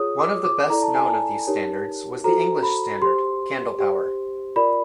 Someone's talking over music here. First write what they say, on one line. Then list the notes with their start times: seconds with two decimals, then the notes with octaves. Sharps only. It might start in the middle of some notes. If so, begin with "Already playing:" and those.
One of the best-known of these standards was the English standard: candlepower.
Already playing: F4 G#4 C#5 D#6
0.19 D6
0.44 D6
0.70 E4 A4 D5 A#5
0.82 A5
0.95 G#5
1.08 A5
1.47 D#4 G4 A#4 C#5
2.24 F#4 A4 C5 A#5
2.63 B5
3.02 G4 C5 C6
3.79 G4 C5
4.56 F4 A#4 D5 B5